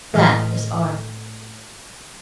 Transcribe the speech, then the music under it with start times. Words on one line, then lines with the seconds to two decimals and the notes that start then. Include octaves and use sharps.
That is Art.
0.14 A2 E3 D#5 F6